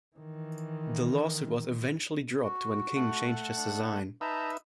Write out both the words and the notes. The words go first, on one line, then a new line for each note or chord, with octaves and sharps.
The lawsuit was eventually dropped when King changed his design.
D#3 E3
F#4
A3 F#5
D4
D#4 B4 E5 A5 A#5 G6